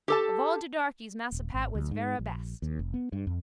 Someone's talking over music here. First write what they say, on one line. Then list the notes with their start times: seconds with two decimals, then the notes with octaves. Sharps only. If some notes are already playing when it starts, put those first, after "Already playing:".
Of all de darkies Massa Pat was verra best.
0.08 G4 A4 A5
1.32 D#1
1.54 G#1
1.75 D2
1.91 G#2
2.19 A#1
2.62 D#2
2.79 F1
2.94 B3
3.12 G2
3.27 F2